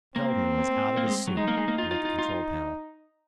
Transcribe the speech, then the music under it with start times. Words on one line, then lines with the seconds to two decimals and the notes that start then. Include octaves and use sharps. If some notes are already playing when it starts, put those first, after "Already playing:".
Feldman was out of his suit and at the control panel.
0.16 A#3 C4
0.97 A#3
1.07 G#3
1.28 F#3
1.37 G#3 D#4
1.48 A#3
1.57 G#3
1.68 A#3
1.78 D#4 F4
1.91 F4
2.05 F4
2.19 F4